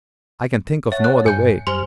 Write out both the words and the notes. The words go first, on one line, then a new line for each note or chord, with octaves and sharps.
I can think of no other way.
C#5 E5 F#5 A5
F#6
G2 G#5 G6 C#7
F#2 G3 C5 G#5 C6 F6